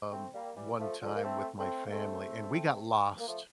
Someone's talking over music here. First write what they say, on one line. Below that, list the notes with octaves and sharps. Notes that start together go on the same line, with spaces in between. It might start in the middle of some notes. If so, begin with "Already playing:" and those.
um, one time with my family and we got lost,
A3 C4
G3 A#3
E3 G3
F3 A3
D3 F3
A#3
A3 C4
A3 C4
A#3
A3 C4
A#3
F3 A3